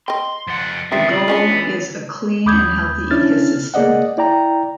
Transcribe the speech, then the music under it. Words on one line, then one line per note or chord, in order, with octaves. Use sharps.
Their goal is A clean and healthy ecosystem.
D#5 G5 C6
F2 F#5 A6
C#2 C3 G3 C4 E5 D#6 A6 C7
F4 D#6 A#6 F#7
G#3 B3 C#4 D4
E2 E3
D#2 B5 D6 D#6 G6 G#6
C#4 D4 E4 F6 A6
A#3 G#4 D5 D#5 F#5
E4 D5 G5 A#5